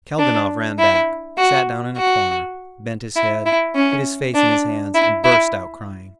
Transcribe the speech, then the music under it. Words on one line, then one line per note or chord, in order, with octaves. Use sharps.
Kalganov ran back, sat down in a corner, bent his head, hid his face in his hands, and burst out crying.
D4
E4
F#4
F#4
E4
E4
C#4
D4
E4
E4